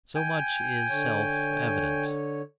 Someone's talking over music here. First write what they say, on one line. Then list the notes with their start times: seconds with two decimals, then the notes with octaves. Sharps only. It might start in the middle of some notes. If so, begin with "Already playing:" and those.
So much is self--evident.
0.15 G5 G#5
0.90 D3 C#5